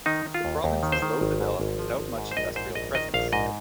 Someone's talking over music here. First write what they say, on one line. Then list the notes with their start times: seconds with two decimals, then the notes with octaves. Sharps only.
The province is low developed without much industrial presence.
0.06 D#3 D#4
0.25 D#3
0.34 F4
0.45 D#2
0.64 D#2
0.83 D#3
0.92 C5
1.02 D#3
1.21 G#1
1.40 G#2
1.60 G#1
1.79 F3
1.99 G#1
2.18 G#2
2.31 C5
2.37 A#1 D#5
2.56 G#2 C5
2.75 A#1 D#5
2.94 D#3 D#5
3.14 A#1 F5
3.33 G#2 D#5